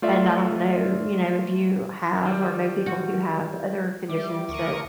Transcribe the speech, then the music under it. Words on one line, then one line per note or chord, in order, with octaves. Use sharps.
And I don't know, you know, if you have or know people who have other conditions that
A3 F4 D5 E5
D#3 G3
F#4
G3 B4 E5 D6
D2 A#4 C#6 D#6